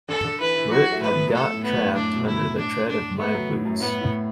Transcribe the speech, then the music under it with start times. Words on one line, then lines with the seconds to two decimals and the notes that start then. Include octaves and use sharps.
Grit had got trapped under the tread of my boots.
0.09 D3 A4
0.25 D3
0.40 E3 B4
0.56 E3
0.70 F#3 F#4
0.92 A3
1.02 B4
1.13 B3
1.28 F#3
1.33 A3 A4
1.53 A2
1.64 A2 B3
1.74 F#2
1.86 F#2
1.95 A2 D4
2.16 B2
2.26 B2 E4
2.36 A2
2.57 D4
2.88 D4
3.18 A3 B3
3.34 F#3
3.50 A2
3.65 F#2
3.80 A2 B3
4.01 A2